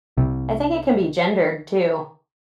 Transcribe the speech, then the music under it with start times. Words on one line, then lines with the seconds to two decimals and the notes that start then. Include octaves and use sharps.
I think it can be gendered too.
0.17 C2 C3